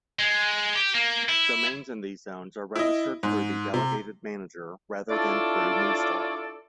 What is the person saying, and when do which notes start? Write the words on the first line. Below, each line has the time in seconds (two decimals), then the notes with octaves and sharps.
Domains in these zones are registered through the delegated manager, rather than through Neustar.
0.19 G#3
0.76 G4
0.94 A#3
1.29 E4
2.76 E4 D#5
3.23 G#2
3.74 C3
5.10 D4 E4 F4 A4 C#5 D5